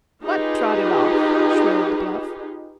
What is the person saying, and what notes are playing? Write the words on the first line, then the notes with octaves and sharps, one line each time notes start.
"What trotted off?" shrilled Bluff.
D#4 F4 G4 G#4 B4